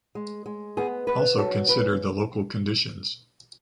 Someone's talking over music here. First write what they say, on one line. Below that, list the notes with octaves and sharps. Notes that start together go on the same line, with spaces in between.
Also consider the local conditions.
G#3
G#3
B3 G#4
B3 B4
F#3 A4
C#3 B4